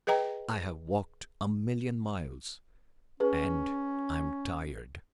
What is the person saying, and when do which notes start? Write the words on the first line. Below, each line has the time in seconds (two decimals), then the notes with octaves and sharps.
I have walked a million miles, and I'm tired.
0.07 G#4 B4 D#5 G5 A#5
3.20 C#4 G#4 B4